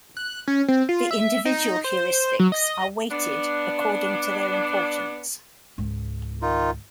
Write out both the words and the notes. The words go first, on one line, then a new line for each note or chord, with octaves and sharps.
The individual heuristics are weighted according to their importance.
F#6
C#4
C4
F4
E5
D#4
C5
F#3
D#5
B3 D4
C#2 G#2
D#3 D#4 F4